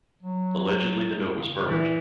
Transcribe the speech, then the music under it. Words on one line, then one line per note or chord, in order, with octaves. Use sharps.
Allegedly, the note was burned.
F#3
C#3
A#2 E3